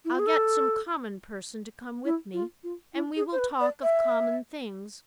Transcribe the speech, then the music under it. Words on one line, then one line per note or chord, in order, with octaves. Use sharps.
I'll get some common person to come with me, and we will talk of common things.
E4
F4
G#4
A4
E4
F4
F4
E4
G#4
C5
B4
D5
E5